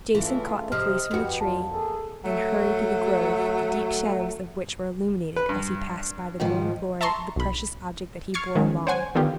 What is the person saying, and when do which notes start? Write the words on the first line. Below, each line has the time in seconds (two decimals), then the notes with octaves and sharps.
Jason caught the fleece from the tree, and hurried through the grove, the deep shadows of which were illuminated as he passed by the golden glory of the precious object that he bore along.
0.15 C#2 E3 A3 F4
0.72 C3 F3 D#5 F6
1.11 F2 F#4 G4 B4
1.41 D#2 A2 G3 F4 A5
1.71 A3 A#3 G#4 A4
2.25 F#3 A3
5.36 B4
5.49 G2
6.40 G#2 D#3 F3
7.01 E5 A5 A#5 C6 C#6
7.36 B1 B5
8.34 C#6 F6 G#6 A6 C7
8.55 D#3 G#3 C#4
8.87 C5 C#5 F#5 G#5
9.15 D3 D#3 B3 F4 G4